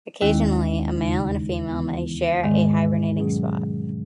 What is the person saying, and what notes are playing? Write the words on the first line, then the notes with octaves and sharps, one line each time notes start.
Occasionally a male and female may share a hibernating spot.
D#2 D#3 G#3 C#4 E4
E2 C#3 G#3 D#4
E3 B3 E4
G#2 D#3 G#3
B2 F#3 C#4 G#4